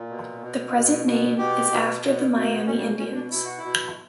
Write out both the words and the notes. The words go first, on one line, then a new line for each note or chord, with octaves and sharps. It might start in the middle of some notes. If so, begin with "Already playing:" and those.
The present name is after the Miami Indians.
Already playing: A#2
B2
B2
B2
B2
B2 G4
B2
B2
B2
A#3
B3
B2 C#4
G3
A#3
B2 C#4
D4
B2 E4
F#4
B2 E4